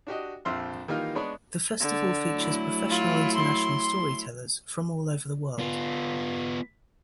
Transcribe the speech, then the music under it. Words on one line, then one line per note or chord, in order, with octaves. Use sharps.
The festival features professional international storytellers from all over the world.
D4 F#4 G4 D#5
A#1 F2 F3 E5 C6 F6
D#3 E3 G3 A#3 D#4 F4
G#3 B3 D4 B4 C#5 D5
D3
F#3 A3 E4
F4
C6
B3 F4